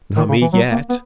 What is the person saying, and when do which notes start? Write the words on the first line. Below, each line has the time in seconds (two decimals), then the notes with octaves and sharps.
Not me, yet.
0.17 D#3
0.29 C#3
0.41 E3
0.53 F#3
0.71 A#3
0.90 B3